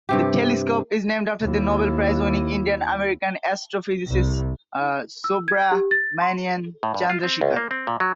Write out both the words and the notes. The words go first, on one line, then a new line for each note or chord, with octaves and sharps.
The telescope is named after the Nobel Prize-winning Indian-American astrophysicist Subrahmanyan Chandrasekhar.
G2 C3 G4
D#2 E4
C2
E6
G#6
G4
A6
C6
A2
G2
F4
C4
C#2
A#3
C4
A#2
F#3